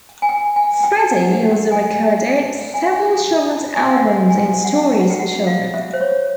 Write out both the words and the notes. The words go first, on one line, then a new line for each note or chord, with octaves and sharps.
Freddie also recorded several children's albums and stories for children.
G#5
G5
G#5
G5
F#5
F#5
G5
G#5
G#5
A5
G#5
F5
F#5
F#5
G#5
G5
F#5
G5
F#5
G5
F#5
F5
E5
C5
C#5